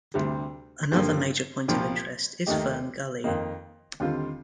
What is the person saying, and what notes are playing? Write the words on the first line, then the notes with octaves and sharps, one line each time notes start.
Another major point of interest is Fern Gully.
D2 C3 G3
G2 D3 F3 A#3
C2 A#2 F3 A#3
D#2 D#3 A3 D#4 G4
F2 D#3 A#3 D#4
D#2 D3 G3 C4 F4